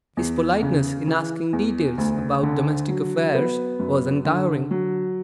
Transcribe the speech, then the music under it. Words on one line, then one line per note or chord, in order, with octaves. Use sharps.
His politeness in asking details about domestic affairs was untiring.
E2
C#3
E3
E2
D2
D3
F#3
B3
F#2
D3
F#3